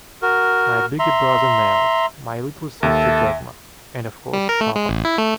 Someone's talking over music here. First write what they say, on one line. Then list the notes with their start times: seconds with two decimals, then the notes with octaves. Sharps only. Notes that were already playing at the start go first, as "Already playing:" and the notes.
My big brother Nels, my little sister Dagmar, and of course, Papa.
0.22 F#4 A#4
0.99 E5 A#5 C6
2.83 D#2 A4 E5
4.33 G3
4.49 A#4
4.61 A3
4.76 G#3
4.89 A1
5.05 E4
5.18 A3